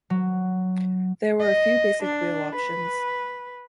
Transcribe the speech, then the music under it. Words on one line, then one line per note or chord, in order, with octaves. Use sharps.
There were a few basic wheel options.
F#3
D#5
D4
B4